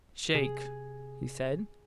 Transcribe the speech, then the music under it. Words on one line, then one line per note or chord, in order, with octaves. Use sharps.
"Shake!" he said.
C3 G#4